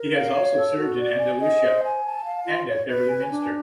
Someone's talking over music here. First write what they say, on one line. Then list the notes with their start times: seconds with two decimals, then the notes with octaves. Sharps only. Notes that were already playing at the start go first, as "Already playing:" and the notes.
He has also served in Andalucia and at Beverley Minster.
Already playing: A#4
0.13 F5
0.33 C#5
0.55 A4
0.76 F#4
0.98 D5
1.18 G#5
1.39 D#5
1.61 C5
1.82 G#5
2.03 A5
2.24 F5
2.45 F4
2.66 C#5
2.87 B4
3.09 G#5
3.30 D4